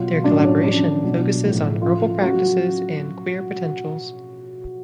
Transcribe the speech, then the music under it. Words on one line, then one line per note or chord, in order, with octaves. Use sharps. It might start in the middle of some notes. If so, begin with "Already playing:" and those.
Their collaboration focuses on herbal practices and queer potentials.
Already playing: B2 F#3 F4
A2 F#3 D4
C#4
C#3 F3 D4
B2 F#3
A2 F3
C#3 F3 F4
C#3 F#3 F#4